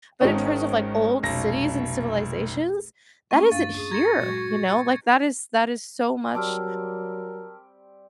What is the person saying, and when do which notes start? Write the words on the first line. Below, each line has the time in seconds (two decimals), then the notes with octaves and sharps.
But in terms of, like, old cities and civilizations? That isn't here, you know? Like, that is that is so much
0.21 G#1 D#3 G#3 C#4
1.23 F1 B1 A#6
3.31 A3 A#3 C#4 C#6
3.52 G2 D4 F5 A6
3.76 G#4
3.91 A#5 C6 C#6 G#6 A#6 C#7
4.19 A#2 F#3 G#3 F#4
6.35 F#3 G3 C4 A#4 A5 D6 E6 F6